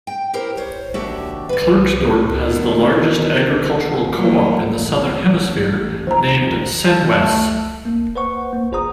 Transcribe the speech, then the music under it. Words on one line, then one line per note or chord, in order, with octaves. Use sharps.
Klerksdorp has the largest agricultural co-op in the southern hemisphere, named 'Senwes'.
G5
E4 G4 A#4 C5
C5 C#5
D#2 D4 F#4 G4 E5
D3 B4
B2 D#3
F#3 A#3
A1
D#2 D#3 F3 C5 A#5
A4
A3
A#3
B4 C5 F#5 C#6
A#3
G1 G#4 C5 F#5 A#5 D#6